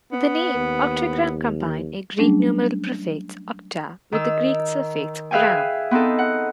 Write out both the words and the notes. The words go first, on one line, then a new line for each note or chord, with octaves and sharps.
The name "octagram" combine a Greek numeral prefix, "octa-", with the Greek suffix "-gram".
B3
D#2
F#3 G3 A3 C#4 D4 G#4
D#3 E6
G#4 B4 E5 F5 G5 G#5
B3 C4 D#4 A4
F#5